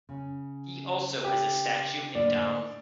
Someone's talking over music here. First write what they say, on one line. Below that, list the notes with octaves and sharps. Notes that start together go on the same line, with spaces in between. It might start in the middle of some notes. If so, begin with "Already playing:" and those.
He also has a statue in Damme.
C#3
G4
A2 D3 A#3 D5